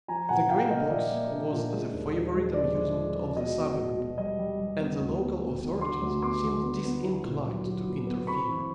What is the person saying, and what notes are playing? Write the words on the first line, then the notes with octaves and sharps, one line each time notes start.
The Green Box was the favourite amusement of the suburb, and the local authorities seemed disinclined to interfere.
F3 G#5 A#5
A#2 F#5 G#5
A#2 F5 G5
A#3 D#5 F5
A#2 D5 E5
A#3
D4
A#2
G#3
D#2
F3
G#3
F3 D5
G#3
F3
G#3
B2 D#5
B3
B2
B2
G3 D#5
G3
G3
B3
D2
B3
B3
B3
D3 C6 D6
D2
B3 C6 D6
D3
B3
B3
E4
A#2
F#3
F#3
A#2
B3
C4 B5 C#6
E3